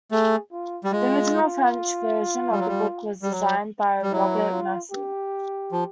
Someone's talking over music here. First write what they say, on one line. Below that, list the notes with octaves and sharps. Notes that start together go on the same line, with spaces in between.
The original French version of the book was designed by Robert Massin.
A3 G#4
F4
G3
G#3 F4
G3
F#3
G3
G3
F#3
G3
F#3 E4
F4
G4
F3